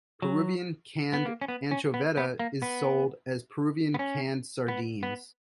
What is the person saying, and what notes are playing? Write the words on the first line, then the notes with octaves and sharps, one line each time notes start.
Peruvian canned anchoveta is sold as Peruvian canned sardines.
F#3
B3
A#3
C#4
B3
C#4
B3
B3
A#3
B3
B3
C#4
B3
B3